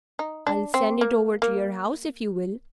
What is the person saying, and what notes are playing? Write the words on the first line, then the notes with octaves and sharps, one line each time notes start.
I'll send it over to your house if you will.'
D#4
D4
C4
A#3
A#3